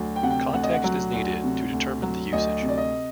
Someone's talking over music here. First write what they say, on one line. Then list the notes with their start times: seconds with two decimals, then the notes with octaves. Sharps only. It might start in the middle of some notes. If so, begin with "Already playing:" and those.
Context is needed to determine the usage.
Already playing: D2 F#3
0.16 G5
0.23 C3 F#5
0.31 G5
0.53 D2 F#5
0.64 D#5
0.74 F#5
0.84 F#3
1.13 D2
1.44 C3
1.73 D2
2.02 F#3
2.33 D2 D#5
2.62 C3
2.69 D5
2.78 D#5